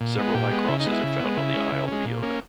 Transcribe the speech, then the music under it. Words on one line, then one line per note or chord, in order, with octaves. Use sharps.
Several high crosses are found on the Isle of Iona.
A#2
G#3 B3
A#2 G4
G#3 B3
C#3 E4
D#4
G#3 B3
E4
C#3
G#3 B3
C#3 E4
G#3 C#4
C#3
G#3 C#4
A#2
A#3 C#4